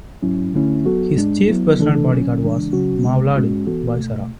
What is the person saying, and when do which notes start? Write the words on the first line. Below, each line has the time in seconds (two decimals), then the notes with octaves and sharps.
His chief personal bodyguard was Movladi Baisarov.
0.22 G#2 F#3 C#4 E4
0.54 D2 D3 A3 C#4 E4
0.85 F#3 B3 F#4 A4
1.16 G#2 G#3 D4
1.48 F#3 B3 E4
1.78 C#3 E3 A3 D4 A4
2.11 D3 F#3 C#4
2.41 C#3 E3 G#3 D4
2.73 C#3 F#3 C#4 F#4
3.04 D2 C#3 G#3 B3
3.36 G#2 G#3 C#4 F#4
3.67 E3 B3 F#4 A4
3.98 C#2 B2 A3